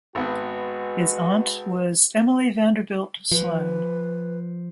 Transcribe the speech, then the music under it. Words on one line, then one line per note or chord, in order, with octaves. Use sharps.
His aunt was Emily Vanderbilt Sloane.
G#1 G#3 B3 F#4 B4
F3 B4